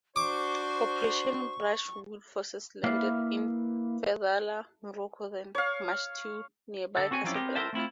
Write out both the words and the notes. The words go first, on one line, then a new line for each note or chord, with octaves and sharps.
Operation Brushwood forces landed in Fedhala, Morocco, then marched to nearby Casablanca.
D4 F#4 C5 C#6 D6
A#3 E4 B4 D5 E5 F5
C#5 F5
D3 A4
C4 F#4 C#5 G#5
F3 F#3 C4 C#4 E4 D5
B3 C4 G4 G#4 A#4
A4 A#4 C5 E5 A5
A3 C4 E4 F4